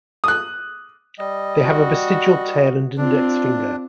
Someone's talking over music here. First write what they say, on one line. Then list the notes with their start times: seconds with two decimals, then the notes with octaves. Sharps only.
They have a vestigial tail and index finger.
0.24 D#6 F#6
1.19 G3 D#5
1.63 F#4
2.98 C4 D4 F4